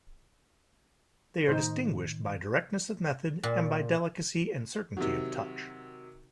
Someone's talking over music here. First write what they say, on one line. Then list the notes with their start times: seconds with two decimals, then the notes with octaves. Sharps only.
They are distinguished by directness of method and by delicacy and certainty of touch.
1.48 A2 D#3 D#4 C5
3.43 A#2
4.97 C3 D#3 F#3